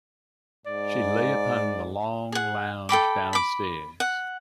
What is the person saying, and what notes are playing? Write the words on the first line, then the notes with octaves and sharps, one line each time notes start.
She lay upon the long lounge down-stairs.
G#2 D5
G#4 F#5
A4 G5 B5 D6
B5 D6
F#5